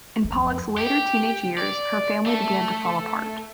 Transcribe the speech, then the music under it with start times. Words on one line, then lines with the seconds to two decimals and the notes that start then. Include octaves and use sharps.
In Pollock's later teenage years her family began to fall apart.
0.24 F2
0.78 G4
1.58 D5
2.26 A3